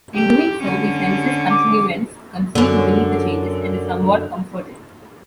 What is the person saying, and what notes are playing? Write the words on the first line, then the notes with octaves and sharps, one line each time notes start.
In doing so, he senses continuance concealed beneath the changes, and is somewhat comforted.
G4
D3 C#4
D6
F#2 D3